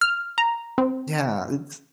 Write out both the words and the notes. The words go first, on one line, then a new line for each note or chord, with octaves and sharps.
Yeah, it's
F6
A#5
C4